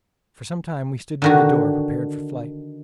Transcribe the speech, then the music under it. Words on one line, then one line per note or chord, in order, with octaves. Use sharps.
For some time we stood near the door, prepared for flight.
D3 D#3 F#4